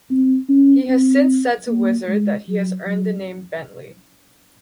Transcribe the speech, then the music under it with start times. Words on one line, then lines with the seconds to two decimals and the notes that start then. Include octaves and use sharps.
He has since said to Wizard that he has earned the name "Bentley".
0.11 C4
0.49 C#4
0.90 C4
1.68 A#3
2.08 G#3
2.48 F#3
2.86 F#3